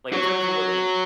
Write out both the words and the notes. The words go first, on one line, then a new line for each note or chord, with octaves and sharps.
like, in terms of what, you know,
F#4 C#5